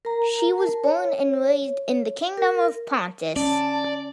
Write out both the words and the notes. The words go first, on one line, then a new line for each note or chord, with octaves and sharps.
She was born and raised in the Kingdom of Pontus.
A#4 A#5
A#4 A5
C#5
A#4
C#4 D5 A5